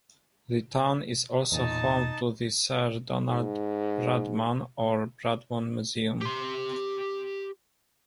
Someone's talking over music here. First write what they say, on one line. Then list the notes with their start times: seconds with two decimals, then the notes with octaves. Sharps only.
The town is also home to the Sir Donald Bradman or Bradman Museum.
1.52 E2 A#2 D#4 A5
3.29 G#2
6.21 G4 C6